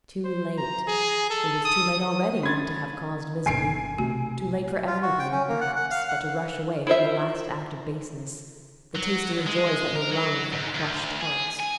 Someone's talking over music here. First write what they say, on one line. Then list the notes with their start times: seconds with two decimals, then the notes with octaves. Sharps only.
Too late! it was too late already not to have caused misery; too late for everything, perhaps, but to rush away from the last act of baseness,--the tasting of joys that were wrung from crushed hearts.
0.24 C5
0.58 A#5
0.87 G#4
1.30 A4
1.65 D#6
2.43 C#4 D4 B5 G#6 A6
3.46 F#1 F#2 B2 G#5 C7 D7
3.98 B1 C3 A3 F#4
4.87 F4
5.02 F#4
5.19 G5
5.32 C#4
5.49 A#3
5.61 F#5
5.76 F#5
5.91 F5
6.09 F#5
6.87 E4 F4 C5 E5
8.95 F#3
9.46 G#3
9.96 A#4
10.12 F#3
10.52 G#2
10.74 D2
11.21 G#4
11.59 G#5